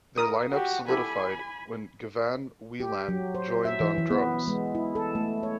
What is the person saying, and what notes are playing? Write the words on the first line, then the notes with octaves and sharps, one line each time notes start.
Their line-up solidified when Gavan Whelan joined on drums.
A#4 D#6
F#4 G4
E4 G4 A4 G#5 B5
G4
F#3
C5
E5
E3
E3
B3
G#3
E4
A4
A3
C#5